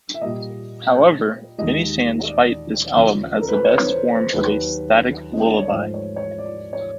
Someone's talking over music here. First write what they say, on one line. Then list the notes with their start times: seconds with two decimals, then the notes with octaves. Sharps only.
However, many fans cite this album as the best from A Static Lullaby.
0.14 E5
0.21 A#2 G3 A#3 D#5
1.58 D#2 D#3 G#3 D#5
2.28 D5
2.96 D2 C#3 F3 A#3
3.34 A4
3.41 A#4
3.48 B4
3.57 C5
3.65 C#5
3.87 C5
4.11 C5
4.33 D#2 D#3 F#3 B4
5.33 D#5
5.46 D5
5.59 C#5
5.70 G#2 F3 A3 C5
5.94 C#5
6.16 C#5
6.39 D5
6.73 C#5